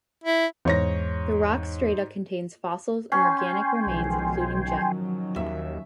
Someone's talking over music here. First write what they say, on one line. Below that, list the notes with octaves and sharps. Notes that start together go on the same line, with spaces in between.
The rock strata contain fossils and organic remains including jet.
E4
E2 G#2 C#5 A#6
C#4 G5 G#5 C6
B1 D#3 F3 G#3
D#3 F3 F#3
D#2 E5